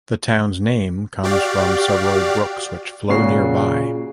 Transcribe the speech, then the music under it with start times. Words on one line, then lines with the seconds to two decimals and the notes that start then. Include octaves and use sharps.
The town's name comes from the several brooks which flow nearby.
1.23 F#4 G4 D5 F5
3.09 A#2 C#3 F#4 C7